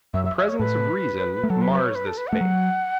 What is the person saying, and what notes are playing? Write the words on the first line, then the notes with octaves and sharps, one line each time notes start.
The presence of Reason mars this faith.
F#2 E5
E5
E5
C#5
A2 B4
A3
F#3 A4
B4
B4
C#5
B4
A4
B4
A3 F#5
F#3